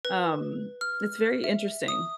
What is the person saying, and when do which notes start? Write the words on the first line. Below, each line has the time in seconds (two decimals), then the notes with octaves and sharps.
Um, it's very interesting.
0.05 B4
0.81 F6
1.44 E5
1.88 D#6